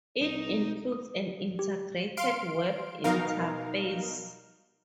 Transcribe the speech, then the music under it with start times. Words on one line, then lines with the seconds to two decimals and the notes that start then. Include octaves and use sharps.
It includes an integrated web-interface.
0.22 C2 D#4
0.92 D#6
1.59 G4
2.17 F5 C6 D7
3.04 B2 D#4 A#4 F5